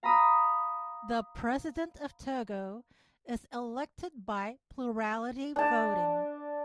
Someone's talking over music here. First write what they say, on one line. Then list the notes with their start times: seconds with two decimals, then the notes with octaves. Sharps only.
The President of Togo is elected by plurality voting.
0.03 F5 A#5 B5 D#6
5.56 D4 A5